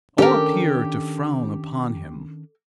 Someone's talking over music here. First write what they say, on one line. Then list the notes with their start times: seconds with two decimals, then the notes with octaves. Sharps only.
All appear to frown upon him.
0.18 D#3 C#4 D4 G4 A4 A#4